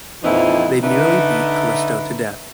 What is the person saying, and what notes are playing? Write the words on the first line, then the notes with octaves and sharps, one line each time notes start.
They nearly beat Callisto to death.
F2 A#2 E3 F3 D#4 E4
D3 D#4 B4 E5